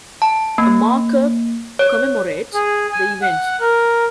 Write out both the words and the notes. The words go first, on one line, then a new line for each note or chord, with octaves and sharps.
A marker commemorates the event.
A5
A#3
C#5
G#4
G#5
F#5
A#4